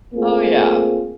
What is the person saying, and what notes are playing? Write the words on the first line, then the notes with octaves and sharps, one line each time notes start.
Oh, yeah.
A3 A#3 C4 F4 G#4